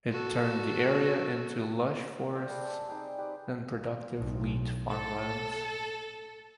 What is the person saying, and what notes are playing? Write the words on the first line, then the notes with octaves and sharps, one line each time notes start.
It turned the area into lush forests and productive wheat farmlands.
F#4 A4
D5 F5 G5
G#4 A4 B4 B5
C4 E5 A5
G3 D#4 G4 G#4
G4 B4 C5 D5
B1
A4